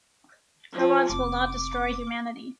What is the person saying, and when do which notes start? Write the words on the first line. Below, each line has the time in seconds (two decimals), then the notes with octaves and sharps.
Robots will not destroy humanity.
0.73 F3
1.09 F1 D6